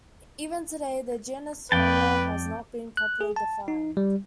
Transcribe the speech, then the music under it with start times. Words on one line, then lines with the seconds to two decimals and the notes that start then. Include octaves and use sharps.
Even today, the genus "Homo" has not been properly defined.
1.72 F2 B4 D5 G5 A5
2.97 F#6
3.21 G#4
3.36 A5
3.68 D#4
3.97 G3